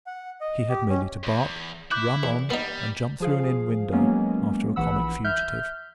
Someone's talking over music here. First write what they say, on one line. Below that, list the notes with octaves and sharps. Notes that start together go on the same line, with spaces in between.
He had merely to bark, run on, and jump through an inn window, after a comic fugitive.
F#5
D#5
G4
C#4
E2
E4 D6 F#6 G6
E2
G3 B3 D#4
F3 G#4 F5
F#3 G#3 A#3 B3 C#4
A#1 E3 F#5 B5 E6
E5 F6 G6